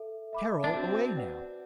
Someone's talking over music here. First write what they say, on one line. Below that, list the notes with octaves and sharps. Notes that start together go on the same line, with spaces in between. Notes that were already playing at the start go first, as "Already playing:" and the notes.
"Carol away, now!"
Already playing: A4 E5
E5 B5 D6
D4
C4 F#4
B4 D5 F#5